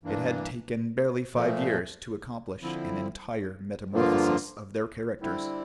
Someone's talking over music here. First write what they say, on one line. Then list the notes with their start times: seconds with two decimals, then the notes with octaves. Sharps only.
It had taken barely five years to accomplish an entire metamorphosis of their characters.
0.03 G2 E3 A#3 D4
1.33 A#2 F3 A3
2.62 D3 F3 C4 E4
3.91 G2 D3 F3 A#3 F4
5.20 D3 G3 C4 E4